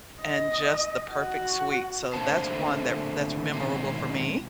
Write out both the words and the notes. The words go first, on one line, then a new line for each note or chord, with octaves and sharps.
and just the perfect sweet, so that's one that f that's memorable for me.
D#5
F#4
D3 A3 A#3 C4 C5 A5
B2 D#3 F#3 G#3 C4